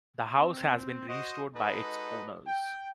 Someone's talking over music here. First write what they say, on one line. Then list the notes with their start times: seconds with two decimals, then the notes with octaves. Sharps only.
The house has been restored by its owners.
0.39 C4
1.09 F#4 C5 D#5
1.55 G#3 D#4 F#4 A4 B4 D#5
2.46 G5